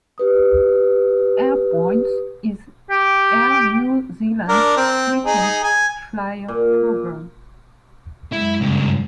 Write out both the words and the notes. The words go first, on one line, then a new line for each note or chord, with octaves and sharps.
Airpoints is Air New Zealand's frequent-flyer programme.
G4 B4 D#6
G4
D4 A#4
C4
D#4 G#4
G#5
A#2
F#2 G#3 E4
G2 C#3